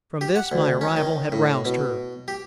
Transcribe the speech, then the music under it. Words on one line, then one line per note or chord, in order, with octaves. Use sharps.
From this my arrival had roused her.
G4
F#5
D2
C#4
D#3
A2
B2
G4